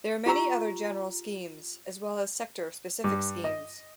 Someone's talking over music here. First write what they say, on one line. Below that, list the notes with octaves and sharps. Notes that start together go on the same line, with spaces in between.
There are many other general schemes, as well as sector specific schemes.
F4 G4 A#5 E6
G2
D#5